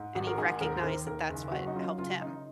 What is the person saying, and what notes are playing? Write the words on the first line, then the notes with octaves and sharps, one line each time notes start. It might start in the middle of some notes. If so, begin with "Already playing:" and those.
and he recognized that that's what helped him.
Already playing: G#2
G#1 F#4
A#4
G#2 G#4
D#2 A#4
C5
D#3 A#4
D#2 A#4
F#1 G#4
F#3 F#4
D#4
F#2 F4
F#1 F4
C#3 D#4